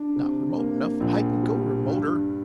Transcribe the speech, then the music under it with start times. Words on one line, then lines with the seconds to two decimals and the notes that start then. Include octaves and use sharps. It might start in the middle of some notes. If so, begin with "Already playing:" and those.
If not remote enough, I can go remoter.
Already playing: D4
0.16 C3
0.58 A#3
1.00 A#1
1.43 G3
1.86 G2